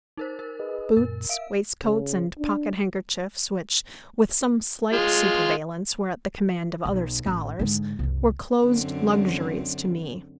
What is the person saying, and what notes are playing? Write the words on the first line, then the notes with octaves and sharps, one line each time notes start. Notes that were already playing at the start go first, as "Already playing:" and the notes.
Boots, waistcoats, and pocket-handkerchiefs, which, with some slight superveillance, were at the command of other scholars, were closed luxuries to me.
D#4 A#4 C5
A#4
G#4 B4 D#5
F#2 A#2 A#4
E5 F5 D7
C#3
D4
G#3 F4
B1
A1 C#4
G#2 D3
C2 F#2
F#2 D3 C4